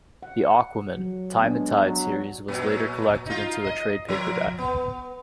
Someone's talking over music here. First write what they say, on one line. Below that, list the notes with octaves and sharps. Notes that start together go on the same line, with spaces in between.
The "Aquaman:Time and Tide" series was later collected into a trade paperback.
F#5
F#3
G#3 B3 D4
F#3
A#2 F#3
D#4 F4
D#5
F3 A#4
B3